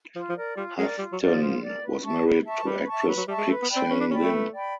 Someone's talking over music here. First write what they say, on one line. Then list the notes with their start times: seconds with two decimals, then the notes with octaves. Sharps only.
Houghton was married to actress Pik-Sen Lim.
0.16 F3 F4
0.29 F3
0.36 A#4 D5
0.57 G3 F4
0.78 G#3 A#4
0.82 D5
0.99 G3 F4
1.13 F#3
1.20 A#4 D5
1.27 F3
1.41 F4
1.62 A#4 D5
1.82 B4
2.03 E5 A5 C#6
2.23 B4
2.44 E5 A5 C#6
2.65 G3 B4
2.86 E5 A5 C#6
3.06 F#3 B4
3.17 F#3
3.28 G3 E5 A5 C#6
3.38 G#3
3.49 A3 B4
3.62 B3
3.69 D5 G5 B5
3.76 C4
3.89 C#4 B4
4.00 D4
4.11 C#4 D5 G5 B5
4.21 A3
4.32 B4
4.53 D5 G5 B5